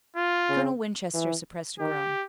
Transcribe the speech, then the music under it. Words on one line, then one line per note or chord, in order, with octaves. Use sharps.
Colonel Winchester suppressed a groan.
F4
C#3
E3
D#3 G4